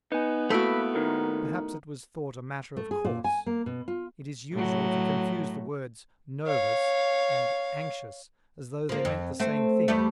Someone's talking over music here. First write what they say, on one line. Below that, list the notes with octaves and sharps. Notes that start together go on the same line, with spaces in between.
Perhaps it was thought a matter of course; it is usual to confuse the words "nervous" and "anxious" as though they meant the same thing.
B3 D#4 B4 G#5
A3 A#3 E4 F#4 B4 E6 D7
D#2 A2 D#3 D#4 A#4
A3
G#4
A#2
G#5
A#3
B2
F4
A2 F#3
C#5 F5
F3 A#3
F2
A3 C4
E2 G3 A3